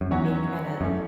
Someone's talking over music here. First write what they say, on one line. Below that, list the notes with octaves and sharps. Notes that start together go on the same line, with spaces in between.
being kinda
F#2
E2 G#2 F#3 C#4 F#4 C#5
F#2 E3 A3 C#4